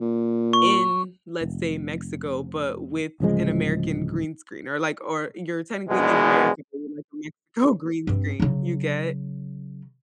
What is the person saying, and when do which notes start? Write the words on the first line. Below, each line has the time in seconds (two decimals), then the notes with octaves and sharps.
in, let's say, Mexico, but with an American green screen, or, like, or you're technically in America, like, a Mexico green screen, you get?
0.01 A#2
0.53 C#6
1.41 F1
3.20 D1 C#3 F3 G#3
5.89 A#1 E2 B2 G#3
8.07 G2 C4
8.40 C#3 F#3